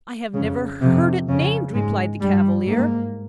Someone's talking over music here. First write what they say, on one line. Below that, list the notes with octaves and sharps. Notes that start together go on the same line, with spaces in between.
"I have never heard it named," replied the Cavalier.
F2 C#3
F2 C3
F2 C#3
G#2 G#3
G2 G3
G#2 A#3